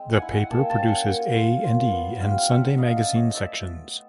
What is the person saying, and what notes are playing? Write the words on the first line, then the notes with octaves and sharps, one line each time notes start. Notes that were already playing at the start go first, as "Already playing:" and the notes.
The paper produces A and E and Sunday Magazine sections.
Already playing: G#3 C4
F#5 G#5
E4
F#5 G#5
A#3 G5 A5
G5 A5
C#4
F#5 G#5
A#3
F4
F4
B3
G3 F5 G5
F5
D4 E5 F#5
A3 D#5 F5
D5 E5
C#4
C#5 D#5
A3 D5 E5